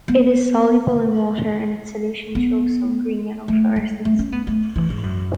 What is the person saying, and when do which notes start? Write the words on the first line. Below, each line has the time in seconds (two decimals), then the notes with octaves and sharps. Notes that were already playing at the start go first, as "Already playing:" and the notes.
It is soluble in water and its solution shows some green-yellow fluorescence.
0.08 B3
2.35 B3
3.48 A3
3.76 G#3
4.05 A3
4.19 C#4
4.32 B3
4.47 A3
4.76 E3
4.90 G#2
5.03 F#2